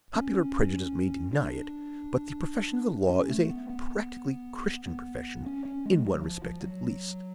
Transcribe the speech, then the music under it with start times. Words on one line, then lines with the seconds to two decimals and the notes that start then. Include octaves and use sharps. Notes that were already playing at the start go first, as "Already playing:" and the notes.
Popular prejudice may deny it, but the profession of the law is a practically Christian profession in one respect at least.
0.15 C#4
1.33 D4
3.10 C#4
3.29 A3
3.50 B3
3.69 B3
4.87 B3
5.46 C#4
5.65 C#4
5.86 G#3
6.05 F#3
6.24 F3
6.44 F3
6.63 F#3